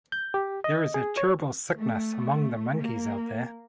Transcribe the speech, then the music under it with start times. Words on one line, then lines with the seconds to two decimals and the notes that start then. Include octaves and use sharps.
There is a terrible sickness among the monkeys out there.
0.12 G6
0.34 G4
0.64 D#5
0.94 G#4
1.17 C#5
1.76 A3
2.78 A#3